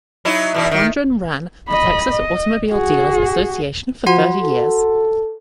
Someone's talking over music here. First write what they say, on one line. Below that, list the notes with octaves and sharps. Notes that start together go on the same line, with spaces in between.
Fondren ran the Texas Automobile Dealers Association for thirty years.
F#3 D#4 E4
E2 B2 E4
D#3
D#5 B5
D#5
F#4 G#4
F3 F#4 F#5 C6
A4